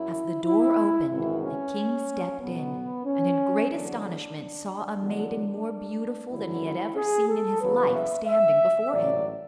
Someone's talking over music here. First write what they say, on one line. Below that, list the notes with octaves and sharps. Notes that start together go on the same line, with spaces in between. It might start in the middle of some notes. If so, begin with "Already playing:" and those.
As the door opened, the king stepped in, and in great astonishment saw a maiden more beautiful than he had ever seen in his life standing before him.
Already playing: F#2 E4
E4
G#1 F#2 E3 E4
C#4
B1 B2 F#3 B3
C#4
E2 D3 F#3 D4
D4
E2 D3 F#3
G#1 F#2 D3 F#3 E4
G#4
A4
E2 C#3 F#3 B4
E5
E5
A1 G#2 F#3 D5